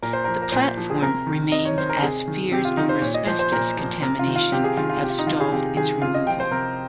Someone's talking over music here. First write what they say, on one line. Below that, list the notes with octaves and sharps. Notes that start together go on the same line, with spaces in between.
The platform remains, as fears over asbestos contamination have stalled its removal.
A#2 A#4
C5
F3 A#4
A#4
A#2 C5
F3
G#4
C3 A#4
D#3
C3 D#5
C#5
D#3 C5
A#4
C3 G#4
D#3
C3 G4
F4
D#3 D#4
C5
A#2 C#5
D#5
F3 C5
C5
A#2 A#4
F3
C3 A#4
F4
D#3
F4
C3 G4
G#4
D#3 F4
F4
C3 G4
F4
D#4
D#3 F4
G#4
C3 G4
D#3 G#4
C3 F4
D#5
F3 G5
C5
C3 A#4